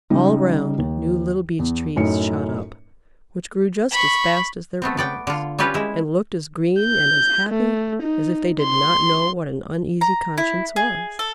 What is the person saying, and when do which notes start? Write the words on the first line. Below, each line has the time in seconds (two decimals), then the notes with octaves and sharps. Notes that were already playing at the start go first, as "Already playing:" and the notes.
All round new little Beech Trees shot up, which grew just as fast as their parents, and looked as green and as happy as if they did not know what an uneasy conscience was.
0.10 C#3 G3 D#4
0.78 D#2
1.59 E2
1.96 F#2 A2 C#4 D#4 C#7
3.91 B5 C#6
4.82 A3 B3 C4
4.97 B3 D5 G5
5.27 D3 F4
5.59 G3 C#4 F4 G4 B4
5.74 G#3 E4
6.80 G6
7.49 A3
8.02 D#4
8.62 C6
10.01 A#5
10.38 E4
10.76 G#4
11.19 A4